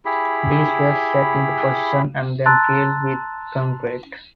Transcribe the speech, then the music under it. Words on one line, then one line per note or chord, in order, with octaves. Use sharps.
These were set into position and then filled with concrete.
E4 G4 G#4 B5
A5 A#5 C6 E6 F#6 A6